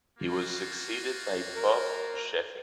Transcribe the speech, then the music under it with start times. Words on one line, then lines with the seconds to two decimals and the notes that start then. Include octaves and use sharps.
He was succeeded by Bob Scheffing.
0.20 A#3 F4 F#4
1.56 A#4